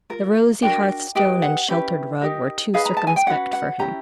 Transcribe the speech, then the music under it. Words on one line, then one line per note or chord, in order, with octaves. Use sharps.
The rosy hearthstone and sheltered rug were too circumspect for him.
F4 A#4
D4 F#4 A#4 G5
D#4 G4 B4 G5
F#5
C#4 E4 G4 B4
D#4 G4 A#4
D#4 G#4 B4 F5
A#5
A5
G#5
G5
C#4 F#4 B4 F#5
F#5
C#4 E4 G4 A#5